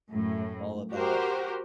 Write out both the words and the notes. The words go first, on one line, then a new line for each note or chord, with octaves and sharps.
all about
F#2 A2
F#4 G4 A#4 C5